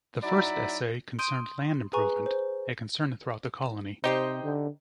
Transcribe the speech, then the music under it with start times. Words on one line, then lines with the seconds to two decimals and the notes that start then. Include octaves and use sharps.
The first essay concerned land improvement, a concern throughout the colony.
0.23 F#3 D#4 E4 D5 B5
1.19 C6 D#6 G6 D7 D#7 G7
1.93 G#4 B4 G#5 A#5 C#6
2.26 C5
4.04 C3 D#4 G4 C5 D#5 G5
4.44 D3